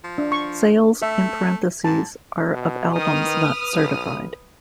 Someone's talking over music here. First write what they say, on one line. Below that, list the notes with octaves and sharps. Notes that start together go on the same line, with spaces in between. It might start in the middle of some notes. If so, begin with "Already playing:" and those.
Sales in parentheses are of albums not certified.
F3
D4
C#6
A3 E5
G#2 A5
B2
D#3 B4 D#6 F6
B1